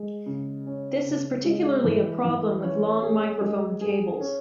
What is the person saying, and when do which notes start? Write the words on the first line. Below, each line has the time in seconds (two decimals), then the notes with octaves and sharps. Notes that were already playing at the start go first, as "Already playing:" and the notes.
This is particularly a problem with long microphone cables.
Already playing: G#3
0.26 C#3
0.66 C#4
1.05 C#3
1.45 G#3
1.84 E3
2.24 E3
2.62 C#4
3.02 G#4
3.41 G#3
3.81 G#4
4.20 C#4